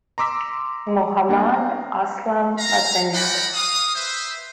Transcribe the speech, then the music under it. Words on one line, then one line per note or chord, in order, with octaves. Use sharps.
Mohammad Aslam Watanjar.
A#5 C6 D6 E6 B6
A#3 D4 F#5
F5 A#5
F5 A#5
A#4 D5 D#5 F#5 G5 B5
F5 D#6
B4 C5 E5